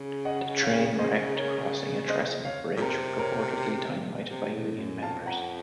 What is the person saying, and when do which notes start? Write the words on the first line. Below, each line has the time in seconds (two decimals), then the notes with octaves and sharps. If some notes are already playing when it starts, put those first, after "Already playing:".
The train wrecked crossing a trestle bridge purportedly dynamited by union members.
Already playing: C#3
0.25 D#5 F#5
0.63 C#5 F5
0.99 C5 D#5
1.36 A#4 C#5
2.08 C5 D#5
2.45 C#5 F5
2.76 A#2
2.82 C3 A#4
3.19 A#4 C#5
4.29 C3
4.53 A2
4.78 F#2
5.02 F2 F5 A5
5.26 F#5 A#5